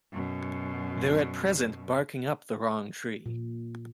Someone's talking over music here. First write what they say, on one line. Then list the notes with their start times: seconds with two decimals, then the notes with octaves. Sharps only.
They're at present barking up the wrong tree.
0.12 F#2 B2
3.26 A#2